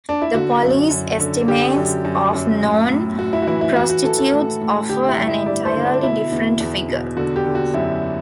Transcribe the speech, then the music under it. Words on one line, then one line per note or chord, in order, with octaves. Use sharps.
The police estimates of known prostitutes offer an entirely different figure.
D4
E4
D3 F#4
F#2
F#2
D3
D3 G4
F#2
F#2
F#2
A2
A2
A2 F#4
E4
F#4
E3 E4
E4
E3 F#4
F#4
E3 A4
A4
A2
A2
D3 G4
E4
G2
E4
G2 D5
C5
D3
D4
B2 E4
E2
E2
B2
D3 F#4
G4
D3
F#4
F#2 E4